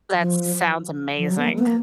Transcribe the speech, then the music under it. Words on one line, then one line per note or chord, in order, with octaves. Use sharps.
That sounds amazing.
F3
F3
F#3
B3
A#3
B3
A#3